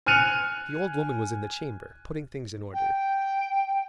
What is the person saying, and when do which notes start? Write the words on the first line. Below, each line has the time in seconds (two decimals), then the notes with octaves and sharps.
The old woman was in the chamber, putting things in order.
0.06 G#5 F6 F#6 C#7 D#7 F7
2.74 G5